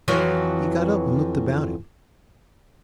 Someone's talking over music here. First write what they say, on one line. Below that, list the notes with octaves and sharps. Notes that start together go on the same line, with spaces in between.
He got up and looked about him.
F2 E3 F#3